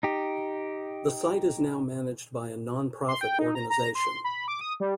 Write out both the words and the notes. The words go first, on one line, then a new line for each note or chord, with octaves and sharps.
The site is now managed by a non-profit organization.
D#4 G4
C6
G5
D#4
A#5
A#5
C6
B5
D6
D#6
G3